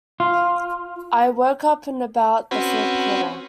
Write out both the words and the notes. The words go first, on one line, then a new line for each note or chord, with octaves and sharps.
I woke up in about the third quarter.
F4
C4 C#4 F#4 B4